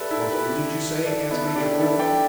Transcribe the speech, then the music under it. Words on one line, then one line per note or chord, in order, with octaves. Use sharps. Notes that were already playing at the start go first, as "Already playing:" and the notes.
"Corfu, did you say?" asked Major Oliphant.
Already playing: G4 A4 B4 D5 E5
E4 A4
G4 B4
A4 D5
B3 E4
A4
D4 G4
E4 A4
D5 G5